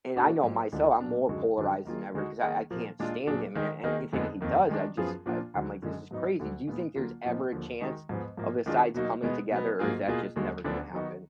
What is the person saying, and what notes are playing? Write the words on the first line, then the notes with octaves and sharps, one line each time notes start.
and I know myself, I'm more polarized than ever because I I can't stand him, and anything he does, I just, I I'm like, "This is crazy." Do you think there's ever a chance, of the sides coming together, or is that just never gonna happen?
B2 A#3 D4 F#4
G#2 F#3 A#3
D2 D3 G#3 D4 F4
A#2 F#3 D4
F#2 D3 G#3 D#4 F#4
F#2 D3 F#3 D4
D#3 A#3 F4 G#4
D3 G#3 D#4 F#4
D#3 A#3 D#4 G#4
A#2 F3 A#3
A#2 G#3 D4 F4
A#2 F#3 D4 G#4
D#3 G#3 D#4
D#3 A#3 D#4 G#4
F2 D3 G#3 B3 D#4
F2 D#3 A#3
D#3 G#3 D4
F#2 F3 B3 F4 G#4
A#2 F3 A#3 D4 F4
D2 D3 F#3
F#2 D3 G#3
G#2 F#3 B3 D#4
D2 D3 F#3
A#2 G#3 B3 D#4
D3 F#3 A#3 F4
A#2 F3 B3 D#4
D#2 D3 F3
D#3 G#3 D#4 F#4
G#2 F3 G#3 B3
G#2 F3 A#3
D#3 G#3 D4 F4 G#4
B2 F#3 A#3 D#4 F#4
B2 G#3 B3
B2 F#3 B3
G#2 F#3 A#3 F4 G#4
B2 A#3 F4 G#4
D#2 D3 G#3 D#4 F#4
D2 D3 F3 B3 D4
D#3 F#3 B3 D#4 F#4